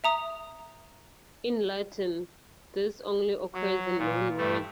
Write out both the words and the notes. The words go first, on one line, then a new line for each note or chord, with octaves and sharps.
In Latin, this only occurs in loanwords.
E5 A#5 D#6
F#3
A#2
G2 A3